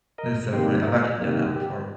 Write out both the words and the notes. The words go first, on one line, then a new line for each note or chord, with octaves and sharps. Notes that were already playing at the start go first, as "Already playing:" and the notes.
That's so funny, I've actually done that before.
A#4 D#5
C3 D#3 G3 A#3 G4 C5
F4 A#4
C3 D#3 G3 A#3
G4